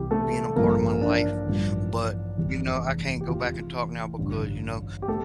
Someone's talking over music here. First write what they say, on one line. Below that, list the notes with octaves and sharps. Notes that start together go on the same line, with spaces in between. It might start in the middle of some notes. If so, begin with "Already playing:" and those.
being a part of my life. But, you know, I can't go back and talk now because, you know,
Already playing: C2 C3 E3 G3 G4
A3 A4
A1 G2 F3 A#3 A#4
D4 D5
A1 G2 F3
F1 E2 E3 G3
G4
E2 C3 E3 F4
A1 G2 D3 G3
G4
A3 A4